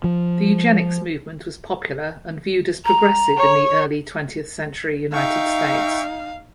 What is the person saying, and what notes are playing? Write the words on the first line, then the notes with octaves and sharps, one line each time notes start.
The eugenics movement was popular and viewed as progressive in the early-twentieth-century United States.
F3
A#5
C#5
D#4 E5 F5 G5 C#6